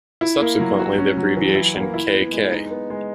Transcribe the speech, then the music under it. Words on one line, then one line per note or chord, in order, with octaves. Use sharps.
Subsequently, the abbreviation k.k.
E4
A#3
F#3
F#4
C#4
F#3
E3
E4
A#3
E4
B3
G#3
D#4
B3
G#3